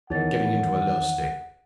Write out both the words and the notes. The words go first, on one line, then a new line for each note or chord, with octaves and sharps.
You're getting into a low state.
E2 D#3 D#4 C#5 F#5 A6